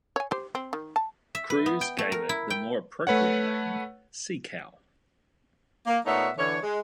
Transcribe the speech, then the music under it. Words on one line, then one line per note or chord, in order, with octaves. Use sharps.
Crews gave it the more appropriate name "Sea Cow".
C#5 G#5
G4 C5
C4
D#3
A5
E5
B4
B3
G5
A3
A#4
E4
G5
A3 B4 C#5 F#5
A#3
A#2 A3 B3 D#4 C#5 E5
D3 E3 C#5
G#3